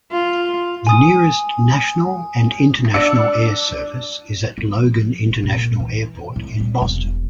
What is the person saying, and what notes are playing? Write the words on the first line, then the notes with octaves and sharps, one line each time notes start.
The nearest national and international air service is at Logan International Airport in Boston.
F4
G#5 D#6
D4 D5 E6 C#7
F3
A#2
E3
A2
G3
E1